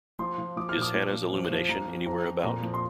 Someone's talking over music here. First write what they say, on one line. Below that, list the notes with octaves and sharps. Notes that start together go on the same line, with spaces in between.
Is Hannah's illumination anywhere about?
F3 C6
F3
F3 D6
F6
A#2
D6
F3
F3
F2
F3
F3 A#5
F2
F2 A#5
F2
A#2 A#5
F3
C6